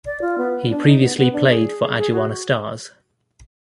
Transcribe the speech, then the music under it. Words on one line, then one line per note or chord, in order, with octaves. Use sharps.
He previously played for Aduana Stars.
D5
F4
B3
D4
D#4
B3
B3
D4
G#4
G#4
F#4